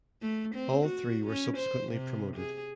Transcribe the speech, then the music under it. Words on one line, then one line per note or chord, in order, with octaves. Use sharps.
All three were subsequently promoted.
A3
C4
F#4
C#4
C5
C3
G#4